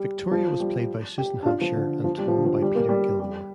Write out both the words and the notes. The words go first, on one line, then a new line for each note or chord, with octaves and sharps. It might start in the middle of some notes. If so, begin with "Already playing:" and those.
Victoria was played by Susan Hampshire and Tom by Peter Gilmore.
Already playing: G3
F3
G3
G4
D4
F4
F3
D3
F3
G3
F3
D3
F3
G3
A#3
G3
G3